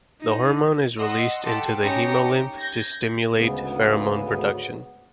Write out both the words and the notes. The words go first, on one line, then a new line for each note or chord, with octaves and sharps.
The hormone is released into the hemolymph to stimulate pheromone production.
D#4
D#5 F#5 C6 E6
G4 A4 F#5 C6
C#4 D#4 G4 A#6 C#7
G6 G#6 A#6
D2 G#2 C#3 B3